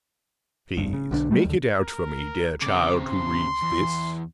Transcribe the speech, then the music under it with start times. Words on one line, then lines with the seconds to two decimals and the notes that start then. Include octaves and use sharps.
Please make it out for me, dear Child who reads this!
0.77 F1 G2
0.93 C#3
1.11 B1 D3 G3 D4
1.31 F#3 G3 A3
1.45 D#2 D3
1.82 A#4
2.62 C#3 C4 D6
3.06 C6
3.63 E2